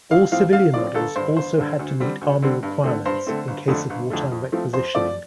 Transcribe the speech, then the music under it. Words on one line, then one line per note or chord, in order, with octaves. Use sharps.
All civilian models also had to meet Army requirements, in case of wartime requisitioning.
A1 F5
A2 F3 C4 F5
A1 F5
A2 F3 C4 D5
G1 A4
G2 D3 C5
G1 C5
G2 D3
D2
D3 G3 C4
D2
D3 G3 C4
G2
D3 A3 C4
G2 C5
D3 A3 C4
G1
F2 D3 A3
G1
F2 D3 A3
F2
F3 A3 C4
F2 C5
F3 A3 C4 D5